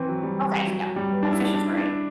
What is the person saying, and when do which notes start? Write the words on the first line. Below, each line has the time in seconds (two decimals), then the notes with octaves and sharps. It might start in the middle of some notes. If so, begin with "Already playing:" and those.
Okay, yep. Yeah, fish is great.
Already playing: E3 C4
0.08 F#3
0.23 G3
0.67 F#3
0.82 F#3
0.96 G3
1.11 B3
1.23 D4
1.32 E4
1.44 D4
1.55 D4
1.67 E4
1.77 D4